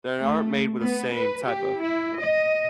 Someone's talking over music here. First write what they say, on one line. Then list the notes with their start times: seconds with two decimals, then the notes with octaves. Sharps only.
They aren't made with the same type of,
0.19 A3
0.79 B3
1.12 B4
1.44 G4
1.79 E4
2.15 D#5